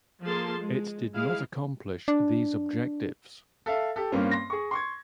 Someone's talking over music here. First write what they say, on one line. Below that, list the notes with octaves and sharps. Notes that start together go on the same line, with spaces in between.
It did not accomplish these objectives.
F3 A#3 G#4 A4 A5 C6
G#3
G#3 E4 G#4 F5
D4
A4 E5 F5
G4 A4
G2 A#3 C4 C#4 F4
C6 A#6
G#4 C#6
C6 C#6 G#6